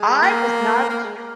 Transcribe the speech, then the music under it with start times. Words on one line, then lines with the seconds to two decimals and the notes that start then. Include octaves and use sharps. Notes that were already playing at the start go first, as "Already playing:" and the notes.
I was not stru
Already playing: G#3
0.22 A#3
0.89 A#3
1.04 G#3
1.17 A#3